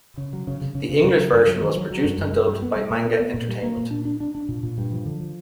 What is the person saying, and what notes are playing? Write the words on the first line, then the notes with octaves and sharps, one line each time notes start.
The English version was produced and dubbed by Manga Entertainment.
C#3
F#3
C#3
C#3
C#3
C#3
C#3
F#3
G2
F#3
D#3
F#3
F#3
G2
G2
G2
G3
B3
G3
A#2
B3
B3
A#2
G3
A#3
A#2
D4
D4
D4
D4
A#2
A#2
G2
F3
D3
F3